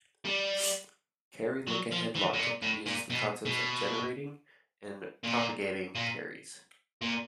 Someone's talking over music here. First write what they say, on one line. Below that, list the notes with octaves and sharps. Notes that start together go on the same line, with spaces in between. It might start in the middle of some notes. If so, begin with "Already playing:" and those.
Carry lookahead logic uses the concepts of "generating" and "propagating" carries.
G3
F#3
F3
E3
A2
A#2
A2
A#2
B2
B2
A#2
A#2
A#2